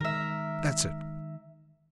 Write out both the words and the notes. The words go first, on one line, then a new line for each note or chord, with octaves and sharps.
"That's it!"
D#3 G#3 A#4 E5